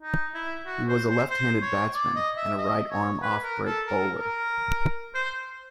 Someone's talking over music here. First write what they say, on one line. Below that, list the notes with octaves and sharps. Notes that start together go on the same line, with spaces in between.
He was a left-handed batsman and a right-arm offbreak bowler.
D#4
E4
F#4
C5
C5
C5
C#5
D5
D#5
E5
D#5
C#5
B4
A#4
A4
A#4
A#4
C5